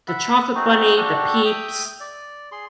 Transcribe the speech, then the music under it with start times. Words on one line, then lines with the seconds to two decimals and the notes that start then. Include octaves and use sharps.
the chocolate bunny, the peeps,
0.08 E5 F#5 B5
0.55 C4 D#4 F#4 G#4
0.96 D4 F#4 G4 A4
1.45 E5 G5 D#6
2.01 D5
2.52 G#4 C6